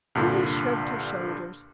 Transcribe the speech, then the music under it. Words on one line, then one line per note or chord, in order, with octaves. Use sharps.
Billy shrugged her shoulders.
C2 G2 A#2 D3